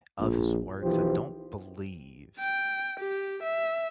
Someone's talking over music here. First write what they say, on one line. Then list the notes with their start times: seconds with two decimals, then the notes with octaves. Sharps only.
of his works, I don't believe.
0.20 A#1
0.83 B1 E3 F3 G4 C5
2.39 G5
3.00 G4
3.43 E5